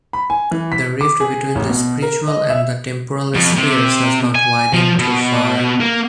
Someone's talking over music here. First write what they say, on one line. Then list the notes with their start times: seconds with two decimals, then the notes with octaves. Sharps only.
The rift between the spiritual and the temporal spheres has not widened too far.
0.13 B5
0.30 G#5
0.51 E3
0.72 B6
1.01 D6
1.20 G#4
1.55 A1
1.69 B2
2.02 A#4
2.28 D#5
2.50 E5
3.35 F2
3.57 C3
4.36 G#5
4.73 F3
4.99 B2
5.81 A#3